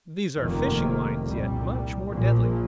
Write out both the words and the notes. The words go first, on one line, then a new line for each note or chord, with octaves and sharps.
These are fishing lines, yet much more deadly.
F1 F2 C3 D#3 A#3
C2 A#2 G3
A#1 A#2 F3 A#3